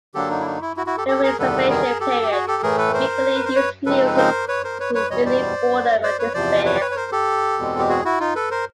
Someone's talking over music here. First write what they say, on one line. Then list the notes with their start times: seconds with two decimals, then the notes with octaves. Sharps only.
During the reservation period, they frequently used music to relieve boredom and despair.
0.14 D3 F#3 A#3 D4 G4 A4
0.30 D#4
0.40 E4
0.46 D#4
0.61 E4
0.76 E4 F#4
0.87 E4 F#4
0.97 G4 A4
1.08 G4 A4
1.23 G#4 A#4
1.39 E2 C3 D#3 G3 B3 A4 B4
1.70 G#4 A#4
2.00 G4 A4
2.22 G4
2.31 F#4 G#4
2.48 G4 A4
2.63 A2 E3 A3 G#4 A#4
2.78 A4 B4
2.94 A#4 C5
3.35 B4
3.45 C5
3.55 B4 C#5
3.86 C#3 F3 G#3 C4 D#4 A4 B4
4.06 B4
4.17 A#4 C5
4.48 B4 C#5
4.64 A#4 C5
4.80 B4 C#5
4.95 B4 C#5
5.10 E2 B2 G3 C#5 D#5
5.25 C5 D5
6.03 C5 D5
6.19 B4 C#5
6.34 E2 C3 F3 C5 D5
6.65 B4 C#5
6.76 D5
6.80 B4 C#5
6.91 C#5
6.96 A#4 C5
7.12 G4 A4
7.59 E2 B2 G#3 C4
7.79 G4
7.89 F#4 G#4
8.05 E4 F#4
8.20 D#4 F4
8.35 A4 B4
8.51 A#4 C5